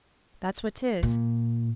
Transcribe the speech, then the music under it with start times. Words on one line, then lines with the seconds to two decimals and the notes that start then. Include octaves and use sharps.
"That's what 'tis."
1.03 A#2